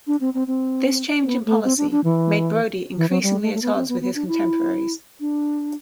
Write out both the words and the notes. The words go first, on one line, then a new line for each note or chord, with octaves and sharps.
This change in policy made Brodie increasingly at odds with his contemporaries.
D4
C4
C4
C4
B3
A3
C4
D4
D4
E3
E3
F#3
G3
A3
A3
B3
C4
B3
B3
D4
E4
D4